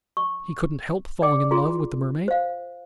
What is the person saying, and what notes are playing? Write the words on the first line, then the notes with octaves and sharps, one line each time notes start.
"He couldn't help falling in love with the mermaid."
C#6
D5 G5 D6
F4 G#4 C6
C5 F5